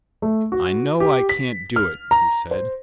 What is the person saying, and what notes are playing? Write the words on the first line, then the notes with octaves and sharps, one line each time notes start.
"I know I can't do it," he said.
A3
F#4
G4
B6
F6
A#5
C5